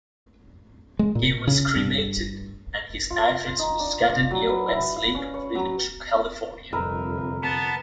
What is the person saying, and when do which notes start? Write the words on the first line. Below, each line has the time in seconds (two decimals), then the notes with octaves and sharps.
He was cremated, and his ashes were scattered near Westlake Village, California.
0.99 G#3
1.15 A#2
1.47 C#3
1.76 G2
3.10 F4
3.59 D#4
3.79 D4
4.10 F5
4.31 F#3
4.49 B4
4.68 E4
4.96 F5
5.15 C#4
5.34 C#5
5.55 F#3
6.73 G1 F2 C3 A#4 B4 E5
7.43 B3 A5